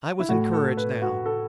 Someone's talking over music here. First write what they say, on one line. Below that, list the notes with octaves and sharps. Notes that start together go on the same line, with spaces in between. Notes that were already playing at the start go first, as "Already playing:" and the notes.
I was encouraged now.
E4
A2 A3 F#4
A4
B4
F#4
A4